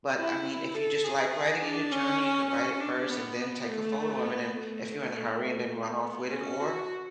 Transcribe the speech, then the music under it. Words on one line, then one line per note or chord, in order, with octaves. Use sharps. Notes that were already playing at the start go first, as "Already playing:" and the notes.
But, I mean, if you just like writing in your journal, you could write it first and then take a photo of it, and if you're in a hurry and then run off with it, or
E4
A4
G#4
G#4
D4
C#4
C#4
D4
B3
B3
A3
B3
A3
B3
C#4
F#4